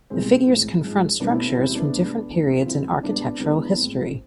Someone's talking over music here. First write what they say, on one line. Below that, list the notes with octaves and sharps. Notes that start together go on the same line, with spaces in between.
The figures confront structures from different periods in architectural history.
C2 B2 G#3 C4
A2 E3 G#3
G#2 F3 G#3
C2 B2 A3 B3 D4
C4 E4
C4
E2 C3 G#3 C4 E4
B3 D4
D2 C3 G#3
E2 D3 A3
F4
E2 C3 G#3 C4 E4
C2 C3 G#3 B3 D4
C4
E2 C3 E3 G#3 B3 D4
A2 F3 G#3 C4